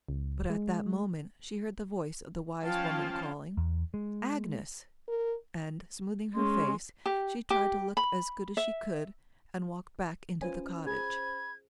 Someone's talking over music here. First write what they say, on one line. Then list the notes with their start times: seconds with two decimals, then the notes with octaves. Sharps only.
But at that moment, she heard the voice of the wise woman calling, "Agnes!" and, smoothing her face, she tried to look as good as she could, and walked back into the cottage.
0.09 C#2
0.50 G#3
2.63 F3 C#4 F4 F5 G5 A5
3.57 E2
3.94 G#3
5.08 A#4
6.35 G#3 C#4 C6
7.06 G4
7.50 G4
7.97 B5
8.57 E5
10.42 C#4 F4 B4 C5 G#5
10.87 G#4 B5 G#6